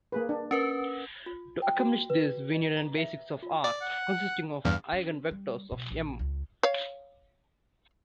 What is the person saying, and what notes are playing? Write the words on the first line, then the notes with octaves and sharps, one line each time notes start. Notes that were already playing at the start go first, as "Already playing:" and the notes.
To accomplish this, we need a basis of R consisting of eigenvectors of "M".
A#3 G#4 B4
D4
C#4 A#4 B4
F4
G5
F#4
B4
D#5
A#5
E5
F4
D5
F#5
E2 G2 F5
C#4
G3
B2
A#1
C#2
C#5 F5